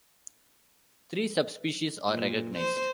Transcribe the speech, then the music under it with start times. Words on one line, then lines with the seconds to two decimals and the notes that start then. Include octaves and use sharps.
Three subspecies are recognized.
2.09 A#2
2.56 C5